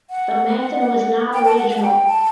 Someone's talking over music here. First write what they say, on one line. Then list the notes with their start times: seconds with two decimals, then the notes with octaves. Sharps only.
The method was not original.
0.10 F#5
1.33 G5
1.45 A5
1.58 F#5
1.70 F#5
1.77 A5
1.83 G5
2.07 A5